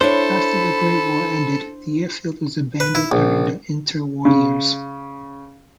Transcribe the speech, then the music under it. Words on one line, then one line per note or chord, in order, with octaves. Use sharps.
After the Great War ended, the airfield was abandoned during the inter-war years.
D4 E4 A4 C5 C#5 B5
B4
E4
A#1
C#3